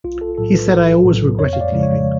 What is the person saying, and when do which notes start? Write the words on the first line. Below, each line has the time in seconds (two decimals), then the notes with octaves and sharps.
He said I always regretted leaving.
0.04 B1 F4
0.21 A4
0.37 A2 F#3 A4
0.54 B4
0.71 B1
1.05 A2 F#3
1.38 F2 C#5
1.53 F5
1.61 D5
1.72 C#3 F3 G#3
1.83 C#5